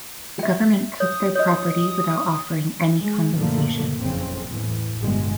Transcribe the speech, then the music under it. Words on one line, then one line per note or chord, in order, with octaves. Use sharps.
The government took their property without offering any compensation.
E5 G5
C#5 D#6
C#5 D#5 D#6
G#3
F#2 A#2 D3 F3 A3 A#3
F#1 F2 C#3 C4
E2 A2 E3
G1 G2 B2 G3 G#3